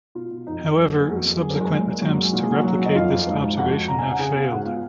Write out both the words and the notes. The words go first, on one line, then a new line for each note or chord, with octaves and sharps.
However, subsequent attempts to replicate this observation have failed.
B2 F4
B2
F2 D#4
F2
F#2 A#4
A#3 G#4
F2 F#3 F#4
F2
F#2 G#4
A#4
F#2 G#3 G#4
A#2
A#2
F#2 F#3 F#4
G#3
A#2 F#4
G#4
A#2 F#3 F#4
F#2 F#3 F#4
F#2
D#5
F2 F4 F5
F2
G#2
G#2
F2 F#4 F#5
F2
C#3 A#5
G#5
C#3
F#5
C#3 G#4 G#5
B3
F5
G#2 F#4 F#5
B3 F4 F5